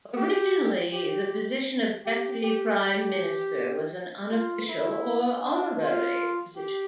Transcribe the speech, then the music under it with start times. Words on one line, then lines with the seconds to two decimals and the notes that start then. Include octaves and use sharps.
Originally the position of deputy Prime Minister was an unofficial or honorary position.
0.17 G4
0.92 G4
2.05 G4
2.43 G4
2.80 G4
4.31 F4
4.68 E4
5.44 D4
5.81 F4
6.56 G4